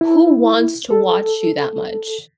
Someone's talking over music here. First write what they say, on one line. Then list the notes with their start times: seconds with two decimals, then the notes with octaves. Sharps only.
"Who wants to watch you that much?
0.01 E4
0.90 A4